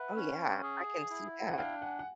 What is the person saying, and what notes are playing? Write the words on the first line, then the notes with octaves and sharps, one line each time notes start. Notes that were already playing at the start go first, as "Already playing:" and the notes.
Oh, yeah. I can see that.
Already playing: B4 E5 F#5
C#4
G#4
E4
F#5
D4 F5 G5
F#5 G#5
F#5